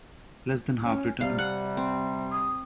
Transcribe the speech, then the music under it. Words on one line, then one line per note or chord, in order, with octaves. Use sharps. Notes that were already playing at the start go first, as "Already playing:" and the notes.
Less than half returned.
C#4
C3 G3 F5
F#5
C4
D#6